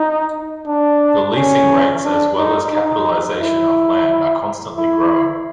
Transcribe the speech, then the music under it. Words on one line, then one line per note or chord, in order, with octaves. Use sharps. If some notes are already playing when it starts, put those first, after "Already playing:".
The leasing rates as well as capitalization of land are constantly growing.
Already playing: D#4
D4
C#4
D4
D#4
D#4
E4
E4